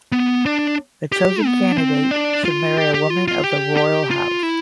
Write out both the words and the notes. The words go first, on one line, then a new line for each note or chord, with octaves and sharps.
The chosen candidate should marry a woman of the royal house.
B3
D4
G4
B3
D4
C4
D4
F4
G4
G4
F4
F4
G4
G4
F4
E4